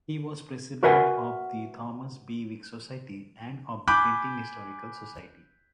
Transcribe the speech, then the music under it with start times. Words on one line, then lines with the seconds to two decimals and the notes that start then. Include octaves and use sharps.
He was president of the Thomas Bewick Society and of the Printing Historical Society.
0.83 F#4 A#4 B4 E5 F#5 G#5
3.88 G#5 B5 D6 F#6 G6